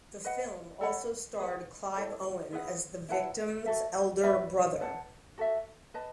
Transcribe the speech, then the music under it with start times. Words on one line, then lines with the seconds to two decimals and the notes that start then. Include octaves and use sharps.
The film also starred Clive Owen as the victim's elder brother.
0.25 B4 D#5 F#5
0.81 A4 C#5 F#5 B5
1.38 G#4 B4 F#5
1.95 E4 A4 C#5
2.52 E4 G#4 B4 F#5
3.09 E4 B4 F#5 A5
3.66 F#4 A4 E5
4.23 F#4 B4 E5 B5
4.80 B4 F#5 A5
5.38 F#4 A4 E5
5.94 B4 D#5 A5